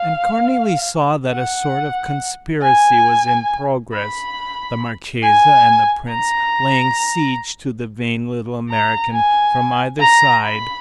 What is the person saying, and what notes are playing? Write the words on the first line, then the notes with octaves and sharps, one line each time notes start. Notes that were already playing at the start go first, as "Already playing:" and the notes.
And Cornelie saw that a sort of conspiracy was in progress, the marchesa and the prince laying siege to the vain little American from either side.
Already playing: F5
F#5
G#5
B5
G#5
A#5
A#5
G#5
A#5
B5